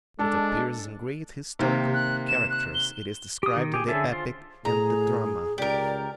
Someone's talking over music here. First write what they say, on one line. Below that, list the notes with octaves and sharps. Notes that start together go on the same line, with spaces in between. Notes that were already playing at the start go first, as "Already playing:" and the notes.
It appears in great historical characters; it is described in the epic and the drama.
G#3 D4 A4
C3 D#3 A#3
F#6
E7
F#6
G7
G4 D#6
D#3
G4 G#4
D3 C#4 G#4 E5 A5
F4 C5
A2 G#4 A#5
C#2 G4 A#4 D5